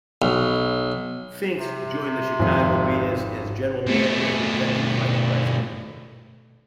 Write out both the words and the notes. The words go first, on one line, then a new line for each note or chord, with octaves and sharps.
Finks joined the Chicago Bears, as general manager and executive vice-president.
B1
C3
G#1 F2
B2 A3